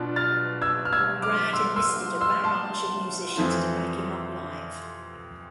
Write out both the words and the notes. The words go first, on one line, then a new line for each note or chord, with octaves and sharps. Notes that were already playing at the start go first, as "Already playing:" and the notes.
Brad enlisted a barrage of musicians to back him up live.
Already playing: B2 B3 D4 F4
F6 A6
E6 G#6
F6
E6 G#6
D6 F6
C6 E6
C6 E6
C6 E6
A5 C6
F2 E3 A3 C4 F4